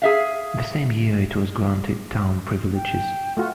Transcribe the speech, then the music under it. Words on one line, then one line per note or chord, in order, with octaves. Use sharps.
The same year it was granted town privileges.
G#4 E5 F5
G5
A3 F4 F#4